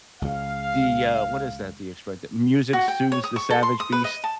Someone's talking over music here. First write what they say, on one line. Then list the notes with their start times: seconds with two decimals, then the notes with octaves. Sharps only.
the, uh, what is that, the expression? The "music soothes the savage beast?"
0.22 C#2 C#3 F5
2.73 F#4
2.88 G5
3.12 C#5
3.24 D#6
3.36 C#6
3.50 A4
3.63 C6
3.80 D#6
3.92 B4
4.04 D#5
4.24 A5